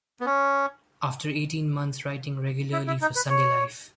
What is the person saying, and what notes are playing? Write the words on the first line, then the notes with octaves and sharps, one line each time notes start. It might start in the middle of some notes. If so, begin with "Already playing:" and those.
After eighteen months writing regularly for SundayLife!
B3
C#4
E4
E4
D#4
B4
C#5